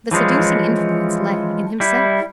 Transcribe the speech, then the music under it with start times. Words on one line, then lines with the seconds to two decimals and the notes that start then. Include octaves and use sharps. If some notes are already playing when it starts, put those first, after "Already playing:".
The seducing influence lay in himself.
0.11 E3 F3 G#3 C#4
1.80 G3 E4